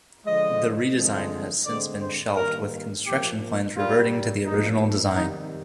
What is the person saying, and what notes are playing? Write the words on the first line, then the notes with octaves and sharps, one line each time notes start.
The redesign has since been shelved with construction plans reverting to the original design.
D3 F3 G#3 D#5
D3 F3 G#3 C4
D3 G#3 C4 D5
C5
G2 D#3 A#3 A#4
A#2 F3 A#3 G4
A#2 G3 A#3 F4
A#2 F3 A#3 D#4
C3 D#3 G3 D#4